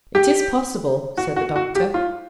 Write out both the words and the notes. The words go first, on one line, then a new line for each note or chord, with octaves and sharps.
"It is possible," said the doctor.
G4
F#4
F#4
F#4
G4
F4